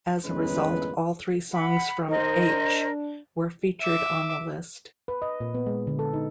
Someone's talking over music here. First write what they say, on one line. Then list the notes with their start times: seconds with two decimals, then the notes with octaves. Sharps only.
As a result, all three songs from "H" were featured on the list.
0.25 G1 E2 A#2 G#3 C#4 B4
1.52 F#5 B5
2.09 D#3 A#4 C5 D#5
2.47 D4
3.81 E5 D6
5.08 B4
5.22 D#5
5.40 A#2
5.55 B3
5.67 G#3
5.87 D3
5.99 A4
6.14 D#4